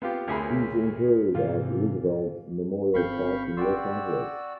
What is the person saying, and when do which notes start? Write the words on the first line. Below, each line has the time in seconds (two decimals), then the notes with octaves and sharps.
He is interred at Roosevelt Memorial Park in Los Angeles.
0.02 B3 C4 F4 G4
0.28 D2 G#4 A#4 C#5 E5 B5
1.35 G#2 C3 E3 F4
2.94 G1 C4 F5 B5 C#6 G6
3.57 F#4 D5 G5 C6 E6